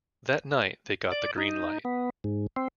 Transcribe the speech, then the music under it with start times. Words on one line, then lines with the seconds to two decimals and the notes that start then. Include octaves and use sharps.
That night they got the green light.
1.12 D5
1.38 D#4
1.85 B3
2.24 G#2
2.56 C4